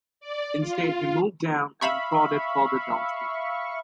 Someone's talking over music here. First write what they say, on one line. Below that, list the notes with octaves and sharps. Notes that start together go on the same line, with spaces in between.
Instead he moved down and forded further downstream.
D5
F4
E5 F5 B5 C#6